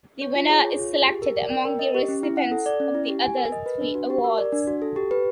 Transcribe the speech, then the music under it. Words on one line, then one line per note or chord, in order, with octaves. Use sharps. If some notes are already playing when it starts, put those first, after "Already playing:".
The winner is selected among the recipients of the other three awards.
C#5
F4
G#4
C#5
F4
G#4
G4
A#4
D5
G5
A#4
D#5
G4
C#4
E4
F#5
A4
D5
C#4
E4
G4
G#5
A#4
D#5
B4
D4
F#4
G4
A#4
D5
D4
F#4
A4
G4
B4